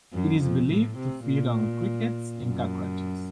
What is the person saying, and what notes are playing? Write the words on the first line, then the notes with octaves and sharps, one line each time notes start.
It is believed to feed on crickets and cockroaches.
F#2
F2
A2
C3
A#2
F#2